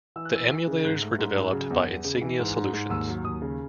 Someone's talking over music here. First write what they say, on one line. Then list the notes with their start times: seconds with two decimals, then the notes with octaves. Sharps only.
The emulators were developed by Insignia Solutions.
0.16 E3 E6
0.25 F#6
0.33 E3 E6
0.50 E3 E6
0.67 C#3
0.84 G#2 F#6
1.02 A3
1.19 G#2
1.36 F#3
1.53 C#3
1.70 E2
1.88 E2
2.04 C#3
2.21 E3
2.39 G#2
2.56 G#2
2.73 G#2
2.90 D#2 E6
3.08 F#3
3.25 D#2 D#6
3.42 C#3